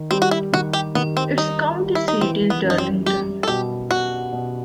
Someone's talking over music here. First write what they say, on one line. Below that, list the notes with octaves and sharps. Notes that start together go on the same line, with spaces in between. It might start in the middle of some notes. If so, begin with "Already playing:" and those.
Its county seat is Darlington.
Already playing: D#3
G3 C4
F#4
E4
D#3 F#4
G4
D#3 B3
C4
G3 D#4
G3
E4
D#4
E3 C4
B3
F#2
D#4
C4
G3 G4
A4
B2 G4
B2 F#4
B2